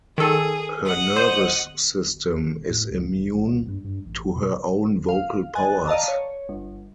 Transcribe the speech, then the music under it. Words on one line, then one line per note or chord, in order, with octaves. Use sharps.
Her nervous system is immune to her own vocal powers.
D#3 G#4 A4
D#5 F#5
C5
E1
A2
C#2
A1
A#1
C2
G2
G2
A1
B2
F5
D#5 G#5 F#6 A6
D5 D#5 F5 A5 A#5
C#5
G1